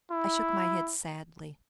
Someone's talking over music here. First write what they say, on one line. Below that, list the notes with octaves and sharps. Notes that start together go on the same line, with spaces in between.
I shook my head sadly.
E4